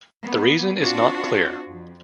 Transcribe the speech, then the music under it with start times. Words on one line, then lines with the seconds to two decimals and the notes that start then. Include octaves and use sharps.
The reason is not clear.
0.24 A#3 B3
0.80 C4 D4 F4 F#4
1.68 F2